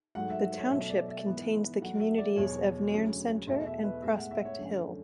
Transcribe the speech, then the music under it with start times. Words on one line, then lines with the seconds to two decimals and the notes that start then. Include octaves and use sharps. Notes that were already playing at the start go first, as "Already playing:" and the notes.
The township contains the communities of Nairn Centre and Prospect Hill.
0.15 G#2 F#3 A3 F#5
0.30 E5
0.57 C#5
0.72 B2 F#3 A3 E5
0.90 D5
1.08 E5
1.27 G#2 E3 B3
1.81 D2 D3 F#3 A3 F#5
2.00 E5
2.18 D5
2.36 E2 B2 F#3 C#5
2.92 D2 C#3 F#3
3.47 E2 B2 A3 E5
3.66 E5
3.84 B4
4.03 A2 G#3 B3 E5
4.17 F#5
4.31 E5
4.45 C#5
4.58 F#2 D3 A3